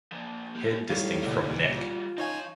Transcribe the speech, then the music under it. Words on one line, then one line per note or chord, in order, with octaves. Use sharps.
Head distinct from neck.
A#2 F3
A#3 G4
A2 D#3 F#3 G3 F5
C#2 A#2 G3 F#4
F4
F3 D#4 C#5 F5 G#5